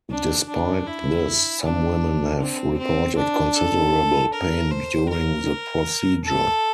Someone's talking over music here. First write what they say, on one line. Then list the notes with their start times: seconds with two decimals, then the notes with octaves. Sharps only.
Despite this, some women have reported considerable pain during the procedure.
0.10 D4
0.49 D4
0.87 E4
1.63 D4
2.41 C4
2.79 C4
3.18 D4
3.55 A4
4.33 A#4
4.71 C5
5.09 A#4
6.24 A4